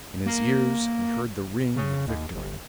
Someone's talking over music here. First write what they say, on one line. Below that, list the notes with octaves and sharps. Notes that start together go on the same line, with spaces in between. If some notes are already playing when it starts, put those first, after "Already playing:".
In his ears, he heard the ring of victory.
A#3
C#3
D#2
G1